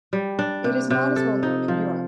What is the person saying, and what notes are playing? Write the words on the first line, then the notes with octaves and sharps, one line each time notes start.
It is not as well known in Europe.
G3
D4
C3
C3
A4
D#4
F3